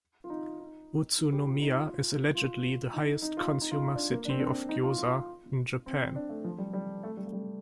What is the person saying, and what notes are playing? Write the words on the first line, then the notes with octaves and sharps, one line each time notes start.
Utsunomiya is allegedly the highest consumer city of gyoza in Japan.
F4
D#4
D#4
D#4
G4
F4
D#4
F4
F4
D#4
D#4
F4
D#4
F4
D4
A#3
D4
C4
D4
D#4
F4
F4
C4
D4
A3
F3
G3
G3
A3
G3
A3
G3